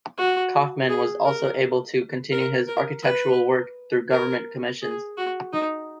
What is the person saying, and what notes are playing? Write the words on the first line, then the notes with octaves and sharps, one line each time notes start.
Kaufmann was also able to continue his architectural work through government commissions.
F#4
G#4
A#4
A#4
A#4
B4
A#4
G#4
F#4
D#4